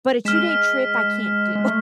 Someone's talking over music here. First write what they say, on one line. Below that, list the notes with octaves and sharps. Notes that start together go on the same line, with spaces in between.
but a two-day trip, I can't do.
G#3 F6 B6 E7
G#3
A3